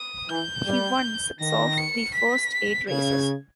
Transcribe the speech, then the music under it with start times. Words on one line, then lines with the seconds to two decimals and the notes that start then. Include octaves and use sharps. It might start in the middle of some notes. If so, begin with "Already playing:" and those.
He won six of the first eight races.
Already playing: D#6
0.29 E3 G6
0.66 G3
1.40 D#3 A#6
1.77 C#7
2.15 B6
2.89 C#3 G#6